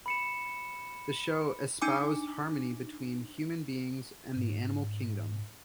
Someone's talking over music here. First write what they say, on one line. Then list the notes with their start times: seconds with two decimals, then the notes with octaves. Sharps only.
The show espoused harmony between human beings and the animal kingdom.
0.06 B5 C#7 E7
1.82 D4 D#4 G#5 D6
4.36 G#2